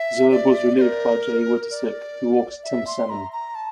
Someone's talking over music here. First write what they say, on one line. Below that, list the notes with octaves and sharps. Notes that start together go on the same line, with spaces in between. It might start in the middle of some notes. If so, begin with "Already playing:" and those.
Zerbe was relieved by Jay Witasick, who walked Tim Salmon.
Already playing: E5
D5
C5
A#4
D5
E5
C6
A#5
A#5
A5